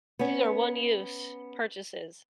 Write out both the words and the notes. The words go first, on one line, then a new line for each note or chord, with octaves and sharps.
these are one-use purchases
B3 C#4